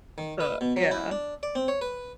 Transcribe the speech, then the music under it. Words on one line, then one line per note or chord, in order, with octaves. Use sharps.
But, yeah.
D#3
B4
B2
F#3
E4
D4
D5
C4
C#5
B4